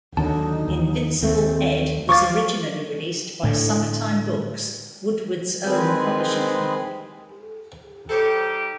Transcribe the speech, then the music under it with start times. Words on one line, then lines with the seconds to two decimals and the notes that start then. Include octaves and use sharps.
"Invincible Ed" was originally released by Summertime Books, Woodward's own publishing company.
0.17 D#2 D3 F#3 D#4 A5
0.68 D#2
1.22 D#2 A3 C4
2.09 F3 F5 C#6 D6 A6
3.43 A2 D3
5.64 D#3 G#3 C4 G#4 B4
8.09 G3 D#4 G4 A4 C5 C#5